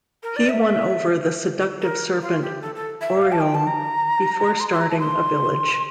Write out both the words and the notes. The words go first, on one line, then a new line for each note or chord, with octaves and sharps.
He won over the seductive serpent Oriol before starting a village.
A#4
D5
E5
A#4
F4
G4
A4
A4
E5
F5
A5
G5
A5
A#5
C6
C6
A#5
A5
C6